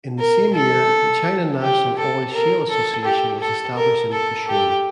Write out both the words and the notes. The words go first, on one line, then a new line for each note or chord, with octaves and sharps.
In the same year, the China National Oil Shale Association was established in Fushun.
A#4
A4
G4
A4
A#4
A4
G4
A4
A#4
A4
G4